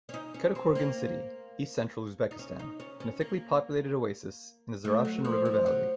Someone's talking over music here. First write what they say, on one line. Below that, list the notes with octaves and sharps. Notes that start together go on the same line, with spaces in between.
Kattakurgan, city, east-central Uzbekistan, in a thickly populated oasis in the Zeravshan River valley.
C#4
D#4
C#4
C4
A#3
D#4
C#4
D#4
C#4
C#4
A#3
A3
F#3
F3
F3
F#3